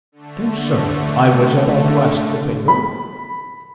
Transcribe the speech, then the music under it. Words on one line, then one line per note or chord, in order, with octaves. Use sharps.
"Thanks, sir; I was about to ask the favour."
D3 A3
B5